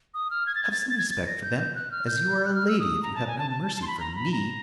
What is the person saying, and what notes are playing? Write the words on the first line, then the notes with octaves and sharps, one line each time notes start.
Have some respect for them, as you are a lady, if you have no mercy for me.'
D#6
F6
G#6
A6
G#6
A6
G#6
A6
G#6
A6
A#6
G6
G6
F#6
F6
G6
F#6
F6
E6
D#6
A#5
A5
G#5
A5
A5
A5
A5
C6
B5
A#5
B5
A#5